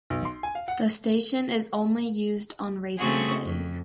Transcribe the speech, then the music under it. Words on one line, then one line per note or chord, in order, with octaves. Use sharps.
The station is only used on racing days.
B1
C6
G#5
F5
F#5
C#3 A3 C4 F#4 G#4
F2